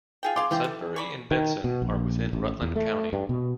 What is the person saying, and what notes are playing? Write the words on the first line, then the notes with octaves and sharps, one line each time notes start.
Sudbury and Benson are within Rutland County.
F4 G#4 G5
G#4 F5 C6 D6
E3 F3 G5 C6
A4
D5 B5 C#6
D#3
B2
A#1
A1
E2
A3
G2
B2